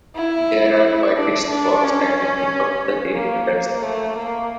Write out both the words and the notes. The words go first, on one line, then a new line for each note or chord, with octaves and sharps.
There are whitish spots at the tip of the tail feathers.
E4
D4
D4
C#4
A#3
A#3
A3
A#3